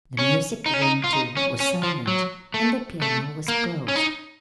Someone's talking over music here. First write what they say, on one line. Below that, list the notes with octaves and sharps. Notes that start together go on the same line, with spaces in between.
The music room, too, was silent, and the piano was closed.
C#4
D#4
C#4
D#4
F4
D#4
C#4
C#4
F3
F#3
A3
A3
A#3
C#4
D#4